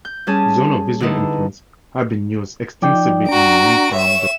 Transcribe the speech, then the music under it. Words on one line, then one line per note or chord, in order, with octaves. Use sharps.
Zones of visual influence have been used extensively in wind farm development.
G6
G3 C#4 G#4 A5
D3 B3 D#4 E4
F3 D#4 D5 G5
D4 F#4 A#5 D7
C#5 E5 E7